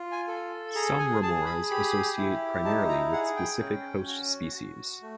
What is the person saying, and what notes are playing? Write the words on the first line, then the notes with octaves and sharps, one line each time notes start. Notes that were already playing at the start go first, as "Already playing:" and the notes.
Some remoras associate primarily with specific host species.
Already playing: F4
G#5
A4
G#4 A#5
G#5
G#4 A5
B5
G4 B5
E4
D#4 A5
A#5
G#4 F#5
G5
C#4
F#4
F#4
A3